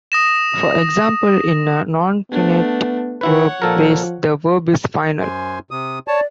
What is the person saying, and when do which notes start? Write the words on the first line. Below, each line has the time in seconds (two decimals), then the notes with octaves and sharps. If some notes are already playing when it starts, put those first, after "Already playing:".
For example, in a nonfinite verb phrase the verb is final.
0.12 D#6 A#6 E7
2.31 A3 B3 D4
3.21 E3 E4 B4 C#5 F#5
3.62 A#2 F3 A4 A#4
5.20 F#2 C5 G#5
5.71 C3 D#6
6.08 C#5 D5 A5